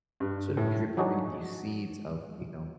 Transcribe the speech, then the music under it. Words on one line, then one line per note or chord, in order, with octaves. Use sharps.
sort of drip-feed these seeds of, you know,
G2
A2
F#3 D4 D#4 F#4 G#4 C#5